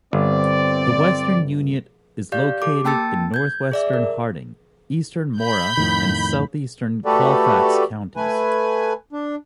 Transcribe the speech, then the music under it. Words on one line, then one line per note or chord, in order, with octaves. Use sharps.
The western unit is located in northwestern Harding, eastern Mora, and southeastern Colfax counties.
G1 C4 D5
G4 D5 F5 G6
G4 A4 D6
A#3 G5 A5 E6 A6 C#7
G6 G#6
G#4 D5 E5
A#4
B5 G6
F2 A2 D#3
A3 F#4 G4 A4 B4 D5
A3 B4 G#5
D4